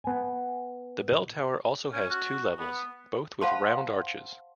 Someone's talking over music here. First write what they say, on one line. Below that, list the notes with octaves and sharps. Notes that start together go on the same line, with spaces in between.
The bell tower also has two levels, both with round arches.
B3 G#5
C#4
F#4
B3
C5 F5 F#5 A5 B5 C6